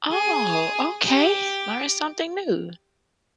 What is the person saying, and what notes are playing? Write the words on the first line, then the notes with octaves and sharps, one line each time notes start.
Oh, okay. Learned something new.
G#4
G4